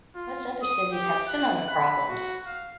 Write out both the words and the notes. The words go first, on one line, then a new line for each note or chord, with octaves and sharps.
Most other cities have similar problems.
F4
D#6
G4
F#6
B5
F#4
F5